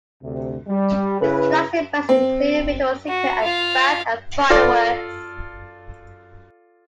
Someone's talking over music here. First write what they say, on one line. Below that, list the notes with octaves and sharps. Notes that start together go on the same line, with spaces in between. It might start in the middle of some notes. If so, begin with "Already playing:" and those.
Its flagship brands include Victoria's Secret and Bath and Body Works.
D2 C3
G3
C#3 E4 B4
C4
F#4
F4 F5
F4 A4 D5